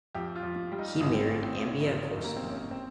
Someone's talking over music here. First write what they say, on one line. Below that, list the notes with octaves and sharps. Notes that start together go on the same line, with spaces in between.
He married Ambia Corson.
F2 G4
F4
F2
G3
D#4
G#1 D#4
C4
C#4
G#1
C4
G#1
C#4
D#4
F1 F4
C#4
D#4
F1
A#3
C4
F1
C#4
C4